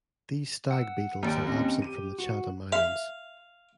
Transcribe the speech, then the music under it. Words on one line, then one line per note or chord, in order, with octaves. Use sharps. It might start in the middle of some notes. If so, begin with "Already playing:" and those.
These stag beetles are absent from the Chatham Islands.
F#5 E6
D#2 D#4 D5 G5
C4 C#4 D#5
G4 D#7
F#4
E5 F5